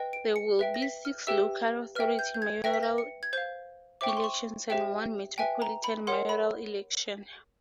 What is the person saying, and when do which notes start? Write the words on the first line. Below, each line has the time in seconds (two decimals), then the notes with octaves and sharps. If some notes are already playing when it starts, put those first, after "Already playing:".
There will be six local authority mayoral elections and one metropolitan mayoral election.
Already playing: B4 D#5 G5
0.13 D7
0.36 C#7
0.59 B4 E5 G5
0.74 A#6
0.82 B6
1.05 F6
1.27 G4 B4 E5 G5 E6
1.95 B4 E5 G5 F6
2.19 G6
2.34 G6
2.42 G#6
2.64 B4 E5 G5 A#6
2.74 B6
2.83 A#6
2.98 C#7
3.23 G#6
3.33 C5 F5 G6
4.01 C5 E5 G5 D6
4.09 C#6
4.17 C6
4.24 C#6
4.70 G4 C5 E5 G5
5.38 B4 E5 G5 G#5
5.62 A#5
5.84 B5
6.07 A#4 C#5 F#5 C6
6.29 B5